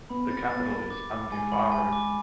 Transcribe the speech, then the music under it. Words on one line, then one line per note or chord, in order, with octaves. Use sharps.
The capital is Ungoofaaru.
B3 B5
C4 A6
B3 A6
A#3 A6
D6
D6
G#3 G#5
B5
G#5
D6